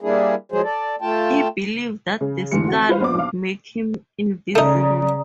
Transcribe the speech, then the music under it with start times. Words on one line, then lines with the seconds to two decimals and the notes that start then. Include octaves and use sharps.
He believed that the skull would make him invisible.
0.01 G3 A#3 D4 E4 G#4
0.52 F3 F#3 G#3 G#4 C5
0.64 A4 D5
1.01 A3 F4 G5 A5
2.21 C#3
2.51 F1 G#2 D3 E3 G3 C#7
2.68 C4 F#4
2.89 F4 B4 C5 F5
3.00 A#1 B3 C5 D5 D6
3.14 B1 F5
4.55 C#3 A3 D#4 D5 A#5 D#6